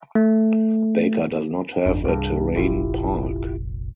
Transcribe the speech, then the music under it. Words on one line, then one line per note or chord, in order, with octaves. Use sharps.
Baker does not have a terrain park.
A3
G1 F2 D4
C2 G2 G#4
F1 A#1 E4 F4 G4